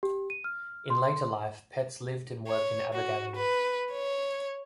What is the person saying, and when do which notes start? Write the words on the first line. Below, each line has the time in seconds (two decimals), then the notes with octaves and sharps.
In later life Petts lived and worked in Abergavenny.
0.03 G4
0.30 D#7
0.44 F6
0.90 C6
2.47 C#5
2.93 F#4
3.36 B4
3.92 C#5